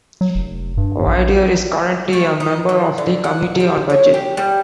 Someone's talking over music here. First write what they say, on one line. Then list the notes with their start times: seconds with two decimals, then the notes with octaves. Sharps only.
Vaidere is currently a member of the Committee on Budgets.
0.21 F#3
0.35 F1
0.77 G2
1.07 A#1
2.13 A3
2.40 D#4
2.69 E3
2.98 D3
3.24 F#5
3.60 G3
3.90 C#5
4.14 G4
4.37 G3